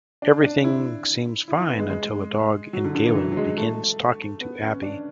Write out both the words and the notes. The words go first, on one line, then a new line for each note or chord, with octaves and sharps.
Everything seems fine until a dog in Galen begins talking to Abbey.
D4
D4
E4
E4
E4
B3
G#3
G#3
F#3
D3
D3
E3
F#3
F#3
G#3
A3
B3
C#4
D4